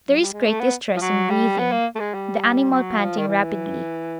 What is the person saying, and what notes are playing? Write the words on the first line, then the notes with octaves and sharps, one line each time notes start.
There is great distress in breathing, the animal panting rapidly.
F#3
G3
G#3
A3
B3
F3
F#3
G3
B3
A#3
A3
G#3
G3
F#3
F3
D#3
E3